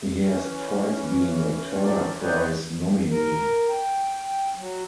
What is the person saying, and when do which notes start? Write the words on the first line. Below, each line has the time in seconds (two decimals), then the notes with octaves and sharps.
He has twice been a Turner Prize nominee.
0.23 E3 C#4
1.79 D2 A2 F3 F#3 C#4 D5
2.21 C4 D#4 B4 C#5 D5 G6
3.11 A#4
3.68 G5
4.57 F#3